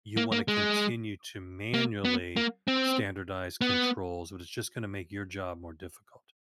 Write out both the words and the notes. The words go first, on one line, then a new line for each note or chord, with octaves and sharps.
you wanna continue to manually standardize controls, but it's just gonna make your job more difficult.
A#3
A#3
G#3
A#3
B3
A#3
C4
B3